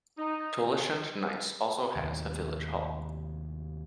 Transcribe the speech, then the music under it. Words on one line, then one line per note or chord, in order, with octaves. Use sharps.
Tolleshunt Knights also has a village hall.
D#4
D#2 A2 C3